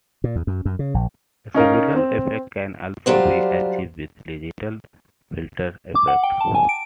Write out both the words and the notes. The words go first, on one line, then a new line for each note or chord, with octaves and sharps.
Similar effects can also be achieved with digital filter effects.
A#2
E2
F#2
F#2
C#3
A#1
C#4 D#4 A#4 F5
C4
F#3 G3 D4 F4 C5
D6
F#5
G5
A5
G#5
D7